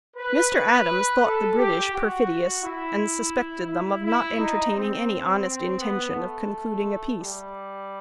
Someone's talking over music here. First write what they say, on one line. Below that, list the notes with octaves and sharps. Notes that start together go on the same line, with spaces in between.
Mr. Adams thought the British perfidious, and suspected them of not entertaining any honest intention of concluding a peace.
B4
B4
A4
G4
F#4
E4
E4
E4
D#4
C4
C4
B3
A3
G3